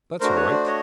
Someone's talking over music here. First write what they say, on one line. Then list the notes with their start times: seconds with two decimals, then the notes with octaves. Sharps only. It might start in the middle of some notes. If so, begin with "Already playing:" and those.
That's all right.
0.21 A3 D4 F#4 A#4 C5
0.36 B4 C#5
0.51 C5 D5
0.66 C#5 D#5